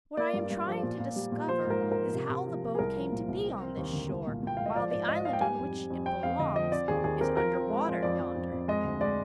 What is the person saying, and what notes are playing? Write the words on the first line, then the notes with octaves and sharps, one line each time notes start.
What I am trying to discover is how the boat came to be on this shore, while the island on which it belongs is under water yonder.
A#3 D5
G2
G2
F3
A#2
A#2
G3
A#2
F3 C5
G#2
A#4
G#2
A#4
F3
C3
C3
F3
F3
G#4
C2 A#4
F3
A#2
C2
C4
C4
D#2
D3
C2
A#2
A#2 G5
G#3 F5
D#5
F3 D5
G#2 D5
G#2 D#5
G#2 F5
G5
G3 G#5
F2
F2
F2
C4 G5
F2 F5
D3 D#5
F3 D#5
C4 D5
D#2 G#4
D#2 G#4
C4 A#4
F3 A#4
C4
G#3
F3
F2 D5
F2
F2
F2
G#3 D#5
D2
G#3 D5